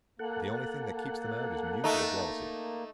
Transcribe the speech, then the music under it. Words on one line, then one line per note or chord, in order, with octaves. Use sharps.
The only thing that keeps them out is mutual jealousy.
A#3 A4 F#5
A3 D#4